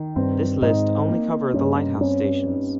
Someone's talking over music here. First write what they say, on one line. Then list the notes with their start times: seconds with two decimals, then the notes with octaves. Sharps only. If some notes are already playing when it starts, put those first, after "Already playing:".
This list only cover the lighthouse stations.
Already playing: D#3
0.16 G2 C4
0.62 G#2 D#4
1.08 A#3
1.54 G2 C#4
2.01 C4 C#4
2.46 D#4